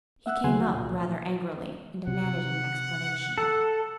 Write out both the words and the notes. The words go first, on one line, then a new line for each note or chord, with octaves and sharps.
He came up rather angrily, and demanded an explanation.
E5 F#5 E6 F#6
D#2 C#3 F#3 G#4 G#5 C6
F#4 F#5
C2 A#2
C3 F#5
A4